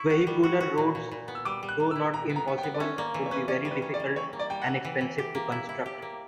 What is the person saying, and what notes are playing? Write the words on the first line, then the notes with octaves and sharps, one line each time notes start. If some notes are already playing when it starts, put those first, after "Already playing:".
Vehicular roads, though not impossible, would be very difficult and expensive to construct.
Already playing: E4 C#6
F#4
G3
F#4
F#4
A#2
A#2
A#2
B3
E6
G3 D6
G3
F#6
G3
E6
E4
A#2 A#5
B3
A#5
B3
G5
B3
D5
C#4 E5
A#3 D5
E3
C#5
C#4 B4
C#4 D5
G3
B4
C#4
D5
G3
E3 C#5
A#3
D5
G3 G5
F#5
E3
E3
E3
G4
A#3
E4
E4
G4
A#3